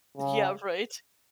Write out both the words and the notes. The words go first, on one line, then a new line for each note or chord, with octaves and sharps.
Yeah, right.
C#3